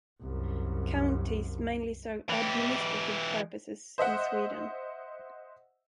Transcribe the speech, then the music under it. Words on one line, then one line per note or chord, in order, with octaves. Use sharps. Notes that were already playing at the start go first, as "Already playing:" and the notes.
Counties mainly serve administrative purposes in Sweden.
C2 F#2
E3 G4
C5 D#5 E5 F#5